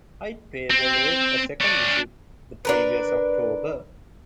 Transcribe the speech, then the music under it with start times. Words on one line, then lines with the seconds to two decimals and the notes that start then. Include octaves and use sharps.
I'd paid the lake a second visit the previous October...
0.70 C4
1.61 D4 C#5
2.65 D4 A#4 B4